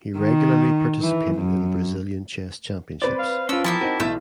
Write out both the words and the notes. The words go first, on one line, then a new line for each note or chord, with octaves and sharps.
He regularly participated in Brazilian Chess Championships.
D#3
E3
F#2
C4 B4 C5 D5
F5
C#4 D4 F4 E6
E2 F3 A#3 E4 G5 A5
C4 D#4 F#4 A#4
B1 E3 A3 E5 G6